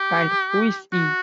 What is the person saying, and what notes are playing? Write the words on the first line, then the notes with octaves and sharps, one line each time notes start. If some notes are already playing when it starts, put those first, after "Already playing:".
And who is he?
Already playing: G4
F#4